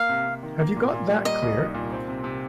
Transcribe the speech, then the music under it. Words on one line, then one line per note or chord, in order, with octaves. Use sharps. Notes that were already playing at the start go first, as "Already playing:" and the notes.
Have you got that clear?
Already playing: A#3 F5
C3
C3
D#3
A#3
A#2
A#2
G3
A#3 D#5
C2
D#4
A#2
C4
C3
C3